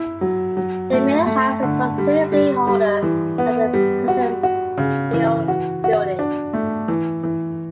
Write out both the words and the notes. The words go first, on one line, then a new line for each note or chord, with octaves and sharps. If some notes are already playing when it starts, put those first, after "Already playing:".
The mill house is considerably older than the present mill building.
Already playing: E4
F#3
F#3
A3
A3
D3
G3
G3
G3
E3
B3
G3
F#4
F#4
C#3
E3
F#4
F#4
D4
A3
E3
E3